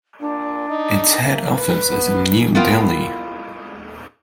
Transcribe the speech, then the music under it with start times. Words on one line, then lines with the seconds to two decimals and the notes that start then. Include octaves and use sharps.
Its head office is in New Delhi.
0.20 A#2 D4
0.69 D#4
1.22 A#3 E5
1.52 B4
1.90 B3
2.55 B3 E4 F4 A#4 F5 G5